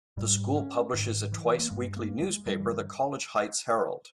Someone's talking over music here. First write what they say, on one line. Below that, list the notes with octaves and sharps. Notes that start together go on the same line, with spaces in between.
The school publishes a twice-weekly newspaper, the College Heights Herald.
G#2 G3
C#4
G#2 D#3
E3
A#3
G2 G#3
A#3
G#3
G2 G3
E3
D#3